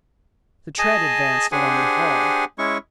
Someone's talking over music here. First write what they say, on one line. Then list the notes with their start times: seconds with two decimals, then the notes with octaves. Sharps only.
The tread advanced along the hall.
0.79 G#4 D#5 G#5 A5
1.52 D4 G4 G#4 C5 F#5 G#5
2.58 G#3 C#4 E4 C#6